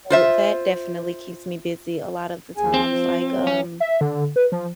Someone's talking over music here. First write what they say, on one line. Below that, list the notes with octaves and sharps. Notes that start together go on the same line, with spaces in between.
Well, that definitely keeps me busy a lot of the times, like, um,
F4 C5 E5
D#2 G#4 G#5
C4
F3
F#3
C#4
E5
D3
B4
F3